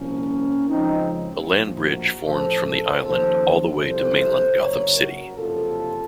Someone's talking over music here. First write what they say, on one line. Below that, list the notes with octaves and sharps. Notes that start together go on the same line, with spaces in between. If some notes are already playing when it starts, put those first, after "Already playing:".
A land-bridge forms from the island all the way to mainland Gotham City.
Already playing: C2 A#2 F3 A#3 C#4
C#2 C#3 F3 C4 D#4
A#1 A2 F3
F#4 A#4
A1 A2 F3 A4 C5
A4 C5
D#2 C#3 F3 A4 C5
C2 C3 F3 A4 C5
F#1 F#2 C#3 A#4 C#5
F#4 A#4
F#1 F2 C3 F4 A4